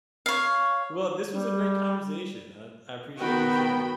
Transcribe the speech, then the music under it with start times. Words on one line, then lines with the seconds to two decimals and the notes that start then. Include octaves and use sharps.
Well, this was a great conversation, uh, I appreciate you sharing.
0.26 C#5 F5
1.27 G3
3.20 D#3 B3 F#4 G5 B5